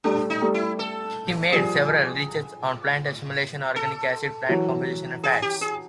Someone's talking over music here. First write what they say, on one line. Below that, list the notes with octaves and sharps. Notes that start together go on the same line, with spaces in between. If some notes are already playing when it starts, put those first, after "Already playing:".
He made several research on plant assimilation, organic acids, plant composition and fats.
G3 A3 D4
D#4
G3 A3
E4
A4
F3 G3 G#4
A4
E3 F#3
G#4
G4
G#4